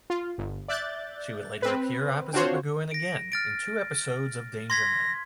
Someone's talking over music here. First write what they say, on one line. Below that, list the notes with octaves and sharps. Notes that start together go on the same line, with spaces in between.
She would later appear opposite McGoohan again, in two episodes of "Danger Man".
F4
G1
D5 E5 F#6 G6 A6
C4 B4
C4 D4 F4 F#4 C5 C#5
A#6 D7
F6 A6 D7
C6 G#6 A#6 B6